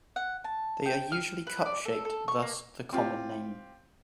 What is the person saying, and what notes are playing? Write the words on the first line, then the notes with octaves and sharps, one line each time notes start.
They are usually cup-shaped, thus the common name.
F#5
A5
G5
F6
B4
D5
A4
A4
C#6
A#3
C4 F4 G4